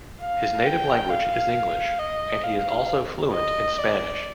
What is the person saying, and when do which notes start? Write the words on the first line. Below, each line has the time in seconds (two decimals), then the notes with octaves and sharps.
His native language is English and he is also fluent in Spanish.
0.21 F5
0.66 G5
1.10 F5
1.99 D#5
2.44 F5
3.33 D#5
3.78 D5